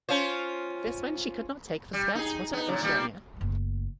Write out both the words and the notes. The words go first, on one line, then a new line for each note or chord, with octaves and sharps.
This meant she could not take the spare slot of Oceania.
C#4 F4 C5
G3
D#4 G#4
B3 D#4
A#2 C#3
A#2 G3 A#3
F#1 A3